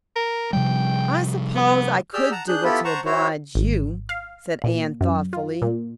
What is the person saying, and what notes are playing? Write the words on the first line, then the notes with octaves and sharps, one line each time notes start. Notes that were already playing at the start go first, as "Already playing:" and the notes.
"I suppose I could do it to oblige you," said Anne thoughtfully.
A#4
C3 F3 G3 G5
B3
G4 G#4 D5 E6 F6 G6
F#5 A5 A#5
D4 G#4 F#6 G6
B3 E4 F4 G4 A4 B5
C5 F#5 A5 A#5 C#6
E4 F#4 C5 C#5
G#1
F5
A#2
F#2
F4
A#2